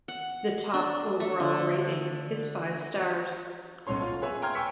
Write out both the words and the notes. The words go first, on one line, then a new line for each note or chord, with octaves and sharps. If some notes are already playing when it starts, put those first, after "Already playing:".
The top overall rating is five stars.
F#5
D4
A3
D3
B1 B2 C#4 A4 C#5 C6
F4
G#4 B4 C#5 E5 G#5
G5 A#5 C6 F6 G#6
G5 G#5 C#6 E6 B6 C#7